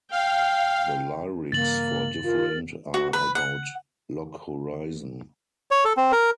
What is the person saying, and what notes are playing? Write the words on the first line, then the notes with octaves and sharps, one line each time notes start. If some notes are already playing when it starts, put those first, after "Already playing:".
The lyrics for "Different" are about "Log Horizon".
F5 G5
G2 C#3 E3 A#3 A6 F#7
F4 A#4
F#4
B4
F#5
C#5
A4
C4
A#4